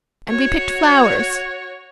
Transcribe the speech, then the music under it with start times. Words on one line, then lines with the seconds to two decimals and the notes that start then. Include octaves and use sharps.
And we picked flowers.
0.28 F#4 C#5